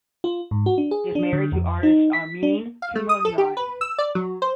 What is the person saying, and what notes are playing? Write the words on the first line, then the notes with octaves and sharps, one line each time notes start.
He is married to artist Armine Tumanyan.
F4
G#2
F#4
D4
G#4
D4
D3
F2
D#4
B6
D4
F5
A3
D#6
A4
G4
B4
E6
D5
F#3
C5